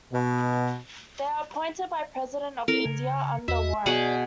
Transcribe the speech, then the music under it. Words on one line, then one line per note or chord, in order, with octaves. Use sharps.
They are appointed by President of India under warrant.
B2
C4 E4 A4 A#4
C#3
E2 F#4 D#5 E5
B2 G#4 D5 F#5